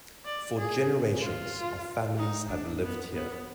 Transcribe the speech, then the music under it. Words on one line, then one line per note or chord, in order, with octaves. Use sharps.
For generations, our families have lived here.
D5
G#4
F4
D#4
D4
B3
B3